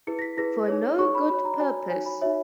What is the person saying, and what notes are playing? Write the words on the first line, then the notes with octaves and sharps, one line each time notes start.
For no good purpose.
E4 G#4 B4 C#7
A#6
B6
E4 G#4 B4 A#6
D#4 G#4 C#5
D#4 G#4 C#5 C#6
B5
F#4 C#5 B5
A#5
F#4 C#5 G#5
D#4 F#4 C#5 G#5
B5
D#4 F#4 C#5 E5